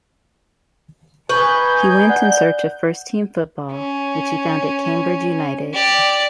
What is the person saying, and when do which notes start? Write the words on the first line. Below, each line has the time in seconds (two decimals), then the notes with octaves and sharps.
He went in search of first-team football, which he found at Cambridge United.
1.29 D#4 B4 G#5 C#6 G6
2.09 D5 F#5 F#6
3.72 C#4
5.73 G4 D5